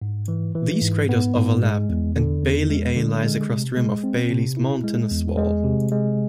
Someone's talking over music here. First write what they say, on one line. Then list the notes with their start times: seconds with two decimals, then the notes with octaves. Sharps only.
These craters overlap, and Bailly A lies across the rim of Bailly's mountainous wall.
0.02 G#2
0.28 E3
0.55 E3
0.82 G#2
1.09 B3
1.36 G#2
1.63 G#3
1.89 E2
2.16 D3
2.42 E2
2.70 G#3
2.96 D3
3.23 G#3
3.50 C3
3.77 G#3
4.04 C4
4.31 C3
4.57 E4
4.84 G#3
5.11 E2
5.37 G#3
5.64 C3
5.92 G#3